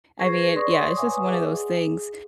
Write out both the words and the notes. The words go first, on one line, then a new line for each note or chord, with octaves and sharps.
I mean, yeah, it's just one of those things,
G#4 B4 C#6 G#6 A#6 C7
C#5 D5 C6 C#6 D#6
B4 E5 F#5 G#5 D6 D#6
G#4